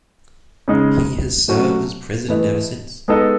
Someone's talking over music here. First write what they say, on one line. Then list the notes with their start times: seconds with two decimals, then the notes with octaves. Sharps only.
He has served as president ever since.
0.68 C#3 G#3 D#4
1.48 F#3 A3 C#4 F#4
2.28 E3 A3 E4 B4 D#5
3.08 G#3 B3 D#4 A4 D#5